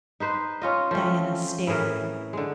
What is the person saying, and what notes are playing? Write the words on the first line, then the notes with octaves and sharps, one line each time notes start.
Diana stared.
D#4 B4 C5
C#4 F4 D#5
F3 A3 C4 C#4
A2 E3 G#4 A#4
D3 G#3